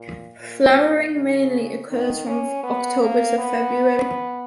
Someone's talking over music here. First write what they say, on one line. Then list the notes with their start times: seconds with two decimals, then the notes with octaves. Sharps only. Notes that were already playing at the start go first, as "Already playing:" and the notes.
Flowering mainly occurs from October to February.
Already playing: A#2
0.41 A#2
1.15 C#3
1.89 D#3
2.26 C#4
2.63 B3
3.01 A#3
3.38 B3